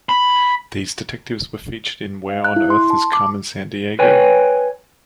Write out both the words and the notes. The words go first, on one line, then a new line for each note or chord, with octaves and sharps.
These detectives were featured in Where on Earth Is Carmen Sandiego?
B5
F5
F#6
E4
C6
A5
D6
B4 C#5 G5 G#5